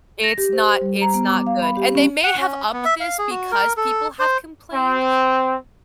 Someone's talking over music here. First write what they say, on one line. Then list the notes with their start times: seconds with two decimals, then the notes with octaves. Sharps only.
it's not it's not good and they may have upped this because people have complained,
0.24 A#6
0.38 G4
0.53 C5
0.69 C5
0.82 G3
1.02 A#5
1.14 B3
1.27 D6
1.47 F5
1.62 B5
1.77 G4
1.95 C#4
2.23 F#5
2.37 C#4
2.73 B3
2.85 E5
3.00 F5
3.18 G#4
3.30 F#4
3.52 A#4
3.77 A4
4.19 C5
4.73 C4